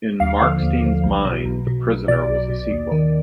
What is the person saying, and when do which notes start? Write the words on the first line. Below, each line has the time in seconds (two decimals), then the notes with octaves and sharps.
In Markstein's mind, "The Prisoner" was a sequel.
0.20 D#2 F5
0.41 D3 F3
0.62 D#2
0.83 D3 F3
1.03 B1
1.24 B2
1.45 B1
1.67 B2
1.88 B1
2.08 B2 D5
2.29 B1
2.49 B2
2.71 D#2
2.92 D#3